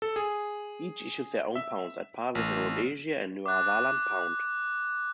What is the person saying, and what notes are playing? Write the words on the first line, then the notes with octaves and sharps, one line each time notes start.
Each issued their own pounds, at par with the Rhodesia and Nyasaland pound.
A4
G#4
E5
A1
D6 F#6